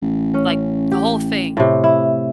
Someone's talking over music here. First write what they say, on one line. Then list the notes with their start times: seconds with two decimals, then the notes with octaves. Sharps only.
like, the whole thing,
0.02 A1
0.34 C#4
0.92 G4
1.57 A2 C3
1.84 E4